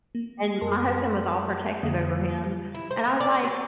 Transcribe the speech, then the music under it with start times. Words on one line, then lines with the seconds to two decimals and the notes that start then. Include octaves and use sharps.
And my husband was all protective over him. And I was like,
0.15 A#3
0.61 F#2 A#4 A5 C6
1.83 F2 D3 G3 A#3 F5 D#6
2.75 E4
2.91 C5
3.08 A#4
3.20 D5
3.43 F#3